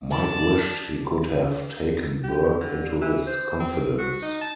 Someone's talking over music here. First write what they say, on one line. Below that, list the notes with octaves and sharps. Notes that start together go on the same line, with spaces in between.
Mike wished he could have taken Burke into his confidence.
D5 A5
G4
D3
E3
C5
C4
F#4
D#4
A5